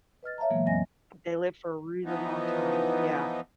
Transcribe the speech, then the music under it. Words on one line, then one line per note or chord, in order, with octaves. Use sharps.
they live for a really long time, yeah.
B4 D#5 F6 A6
C#5 E5 F5 A5 A#5
A#2 E3 F#3 G#3 A#3 B3
F2 F#3 C4 D#5 G#5 A#6
E3 F3 B3 D#4